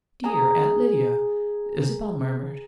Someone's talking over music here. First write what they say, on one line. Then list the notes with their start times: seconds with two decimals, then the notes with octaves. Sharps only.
"Dear Aunt Lydia," Isabel murmured.
0.24 G#4 A#5